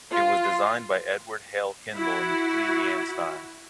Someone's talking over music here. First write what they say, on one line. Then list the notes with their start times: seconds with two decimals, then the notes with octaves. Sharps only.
It was designed by Edward Hale Kendall in the Queen Anne style.
0.12 F4
1.94 E4 F#4